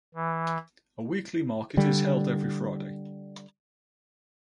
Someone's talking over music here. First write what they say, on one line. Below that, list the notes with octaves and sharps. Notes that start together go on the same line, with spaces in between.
A weekly market is held every Friday.
E3
D3 G3